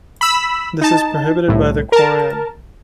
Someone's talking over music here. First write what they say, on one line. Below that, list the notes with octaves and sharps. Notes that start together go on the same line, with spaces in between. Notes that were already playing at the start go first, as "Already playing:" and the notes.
This is prohibited by the Quran.
B5 E6 B6
D#4 A5
C2 A2
A#4 A5